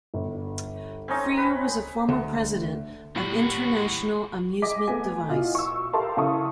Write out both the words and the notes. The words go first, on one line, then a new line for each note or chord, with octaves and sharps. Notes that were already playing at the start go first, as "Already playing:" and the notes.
Feerer was a former president of International Amusement Device.
G1
C4 C#4 D#4
B4
D2
D#2 A2 G3 F#4
G#4 D#5 D6 B6
A3 B3 G#5
B2 E4 F4
C#6 E6
G4 A4 A#4 F5 A5 C6
C#3 E4 A4 C#6 D#6